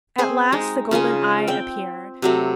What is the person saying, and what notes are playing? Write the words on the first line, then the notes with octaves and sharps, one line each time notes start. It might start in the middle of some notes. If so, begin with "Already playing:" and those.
At last the golden Eye appeared.
C4 G#4 C5
G#3 D#4
C#3 F4 G#4 G#5
C4 G5
C3 F#3 A3